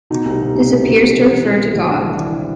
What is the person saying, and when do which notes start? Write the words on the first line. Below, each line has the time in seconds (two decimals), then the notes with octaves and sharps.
This appears to refer to God.
0.10 B2 D#4
0.25 C2
0.41 B2
0.55 C2
0.70 C2
0.85 B2
1.00 C2
1.15 B2
1.29 E3
1.45 E3
1.60 E3
1.75 G#1
1.89 G2 D4
2.04 E3
2.19 E3